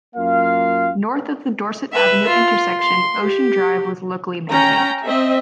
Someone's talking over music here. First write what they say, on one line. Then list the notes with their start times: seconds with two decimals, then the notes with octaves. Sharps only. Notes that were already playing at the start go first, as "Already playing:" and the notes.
North of the Dorset Avenue intersection, Ocean Drive was locally maintained.
0.16 F#2 A#3 F4 F5
1.92 B4 E5
2.28 F4
2.80 C6
3.21 G4
4.50 C#4 G5 A#5
5.05 C4 D#5 E5